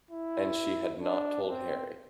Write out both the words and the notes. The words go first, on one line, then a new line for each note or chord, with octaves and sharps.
And she had not told Harry!
E4
D4
C4